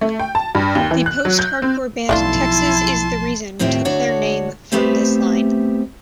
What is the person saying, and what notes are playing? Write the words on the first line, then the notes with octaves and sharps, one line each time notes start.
The post-hardcore band Texas Is the Reason took their name from this line.
A3
G5
A5
G2
D#2
E3
F#6
F#3
G6
C4
B1 F3 A3 D4 E4 F4 A5 C6
D#2 A2 C4 F4 E5 G5
D2 D4 F#4 C#5 F#5
A3 B3 C4 G4 C5 E5